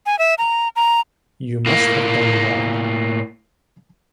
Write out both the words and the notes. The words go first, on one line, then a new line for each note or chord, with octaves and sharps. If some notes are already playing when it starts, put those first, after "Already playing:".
You must have done well.
G#5
E5
A#5
A#5
A2 A#3